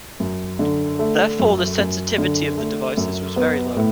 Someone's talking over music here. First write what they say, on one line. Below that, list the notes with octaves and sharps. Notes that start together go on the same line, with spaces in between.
Therefore, the sensitivity of the devices was very low.
F#2
D3
A3
F#2
F#2
D3
A3
F#2
B3
A2